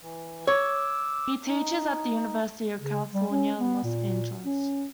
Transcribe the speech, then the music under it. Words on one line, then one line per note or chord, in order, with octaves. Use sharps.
He teaches at the University of California, Los Angeles.
E3
C#5 D6 E6
D#4
C#3
G3
C#4
B3
A#2
C#4